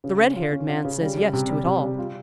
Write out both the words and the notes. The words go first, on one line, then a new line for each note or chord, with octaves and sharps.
The red-haired man says yes to it all.
C#3
C#4
F4
C#4
F4
C#3
G3
G3
C3
G3
C3
G3
F4